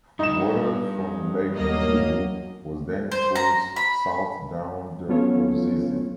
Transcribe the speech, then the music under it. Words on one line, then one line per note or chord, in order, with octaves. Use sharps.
Water from Lake Kivu was then forced south down the Ruzizi.
G2 D#4 E7
D#2 F#3 A#3 D#5
C5
A#5
B5
F#3 B3 C#4 F4 A4 C#5